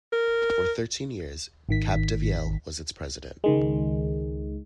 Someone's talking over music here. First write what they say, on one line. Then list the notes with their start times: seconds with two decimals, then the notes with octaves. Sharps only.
For thirteen years Capdevielle was its president.
0.13 A#4
1.69 G#1 D#3 B6
3.44 C#2 D#3 G#3